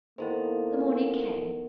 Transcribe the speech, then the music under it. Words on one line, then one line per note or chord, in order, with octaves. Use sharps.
The morning came.
D#3 A#3 B3 E4 A4 C5